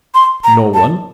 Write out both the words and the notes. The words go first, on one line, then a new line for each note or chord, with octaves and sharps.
"No one."
C6
A#5
A5